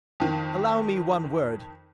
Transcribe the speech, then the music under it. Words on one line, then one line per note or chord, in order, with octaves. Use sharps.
Allow me one word.
F2 D#3